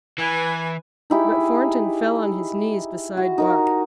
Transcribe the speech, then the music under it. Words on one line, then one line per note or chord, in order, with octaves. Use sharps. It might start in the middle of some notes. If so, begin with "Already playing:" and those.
But Thornton fell on his knees beside Buck.
E3 B4 G#5
D#4 E4 G4 G#4
F#4
D#4 A#4 C#6